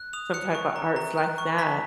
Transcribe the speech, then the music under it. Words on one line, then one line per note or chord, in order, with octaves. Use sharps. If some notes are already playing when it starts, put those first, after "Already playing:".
some type of arts like that.
Already playing: F#6
D#6 F7
F#6 C#7
C#6
A#5
A#5
F#6
C#6
A#5 B6